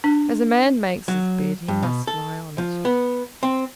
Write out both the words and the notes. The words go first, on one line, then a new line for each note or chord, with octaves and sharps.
As a man makes his bed he must lie on it.
D4
F#3
G2
B2
A4
F3
B3
C4